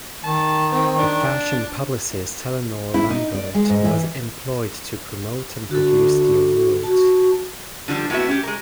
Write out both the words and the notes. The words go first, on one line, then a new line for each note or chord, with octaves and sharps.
The fashion publicist Eleanor Lambert was employed to promote and produce the awards.
D#3 A5
C4
D4
E4
D#4
D5
G#3
G#2
E3
D3 F#4 A4
F#4 A5
D3 F3 G3 D4
A2 B3 C4 F#4 E5
C#4 G4
G#3 A#4